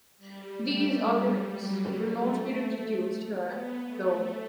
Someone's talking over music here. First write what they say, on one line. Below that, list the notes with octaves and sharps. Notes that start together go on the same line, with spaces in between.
These arguments will not be reproduced here, though.
G3
A3
G3
F#3
A3
B3
A3